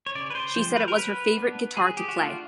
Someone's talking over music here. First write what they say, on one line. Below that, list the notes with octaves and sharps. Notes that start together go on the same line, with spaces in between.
She said it was her favourite guitar to play.
C#5
C#3 D5
B4
C5
F3 G#3 C4 C5
B4
A#4
F#3 B4
B3 D4
F#3 G#4
G4
F#4
A3 D4 F4